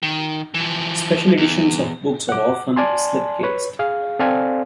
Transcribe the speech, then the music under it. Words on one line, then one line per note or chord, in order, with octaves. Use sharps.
Special editions of books are often slipcased.
D#3
E3 F3
E2
F#5 D6
D5 G#5 A5 C6
B4 C#5
G#4 F5
C4 A4 C5 D5 F5 G#5